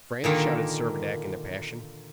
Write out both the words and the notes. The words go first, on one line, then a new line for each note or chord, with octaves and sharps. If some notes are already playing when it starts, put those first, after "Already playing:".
"France!" shouted Servadac in a passion.
A#2 D3 D#3 A#3